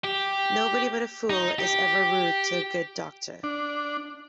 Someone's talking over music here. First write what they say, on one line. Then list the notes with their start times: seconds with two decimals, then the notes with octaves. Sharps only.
Nobody but a fool is ever rude to a good doctor.
0.04 G4
1.30 D#4
1.59 G4
3.43 D4